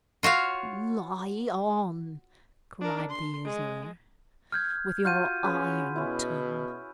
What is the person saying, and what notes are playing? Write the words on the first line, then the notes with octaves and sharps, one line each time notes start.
'Lie on!' cried the usurer, 'with your iron tongue!
F4 F#4 C#5 F5
D4 A#4
C6
G#3
F6 G6 G#6
F4 F#4 F6 G6 D#7
C#4 G#4 B4 C6
B2 C#4 E4